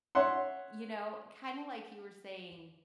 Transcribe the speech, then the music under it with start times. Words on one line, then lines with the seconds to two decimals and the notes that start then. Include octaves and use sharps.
you know, kinda like you were saying
0.15 C#5 E5 F#5 C6